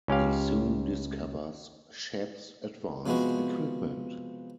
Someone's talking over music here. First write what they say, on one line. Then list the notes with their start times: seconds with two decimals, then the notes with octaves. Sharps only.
He soon discovers Shep's advanced equipment.
0.08 C#2 C#4 G4 F5
3.06 C3 F3 G#3 B3 F#4